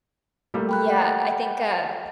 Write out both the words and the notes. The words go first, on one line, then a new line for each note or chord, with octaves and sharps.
Yeah, I think, uh,
G3 A3 A#3
G5 B5 F#6
F#5 G5